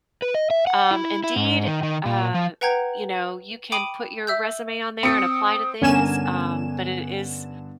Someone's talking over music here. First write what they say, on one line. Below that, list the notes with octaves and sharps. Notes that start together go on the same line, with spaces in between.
um, Indeed, eh, uh, you know, you can put your resume on there and apply to things, um, but it is
B4
D#5
E5
F#5
E4
E4
G#2
D#3
D#3
A#2
F3
B4 F#5 G5 A#5 G6 G#6
G5 B5 D6 D#6 D#7 F#7
E5 E6 G6
C4 D#6 C#7
G2 D3 B3 C#4 D4 A#4 G#5 E7